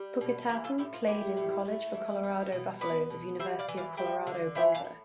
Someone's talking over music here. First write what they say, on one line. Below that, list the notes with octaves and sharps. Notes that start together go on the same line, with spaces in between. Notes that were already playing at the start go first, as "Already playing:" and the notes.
Puketapu played in college for Colorado Buffaloes of University of Colorado Boulder.
Already playing: G3
B2
E3 E4 G4
F4 A4
A2 E4 G4
F4
G3 E4 G4
A2
A3
E3
B3
B2
B3 B4 D5
B2
G3 C5 E5
D5 F5
E3
D5 F5
G3 E5 G5
D3
E3 E5 G5
F5 A5
A2